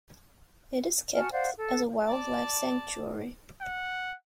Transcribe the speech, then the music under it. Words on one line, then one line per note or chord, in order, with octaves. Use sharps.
It is kept as a wildlife sanctuary.
F#4 G#5 A5 F6
C5 D5 F5 F#5
A4
D5 A5
F#5